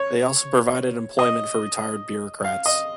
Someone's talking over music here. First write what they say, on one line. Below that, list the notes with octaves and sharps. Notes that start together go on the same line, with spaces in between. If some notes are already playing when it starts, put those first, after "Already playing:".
They also provided employment for retired bureaucrats.
Already playing: C#5
D#5
F5
D#5